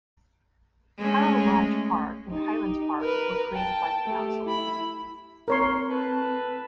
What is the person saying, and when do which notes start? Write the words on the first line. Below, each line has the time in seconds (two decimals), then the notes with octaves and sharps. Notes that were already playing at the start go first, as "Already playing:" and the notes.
Harrow Lodge Park and Hylands Park were created by the council.
0.98 G#3 A3 C#4
2.28 D#4 G4
3.01 A#4 B4
3.54 G5 A5
4.06 A3 G4
4.45 E4 B5
5.48 C4 A#4 C#5 C6
5.88 A2 B4 A5